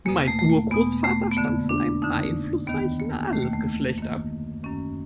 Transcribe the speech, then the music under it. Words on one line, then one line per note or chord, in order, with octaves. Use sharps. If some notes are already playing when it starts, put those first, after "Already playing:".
Mein Urgroßvater stammte von einem einflussreichen Adelsgeschlecht ab.
E2 B2 A#3
A3
A3
A#3
E2 B2 B3
A3
B3
F2 D3 A#3
D4
F2 D3 D#4
D#2 D#3 B3
A#3
D#2 D#3 A3
A#3
A3
F#2 D#3 A#3
F#2 D#3 C#4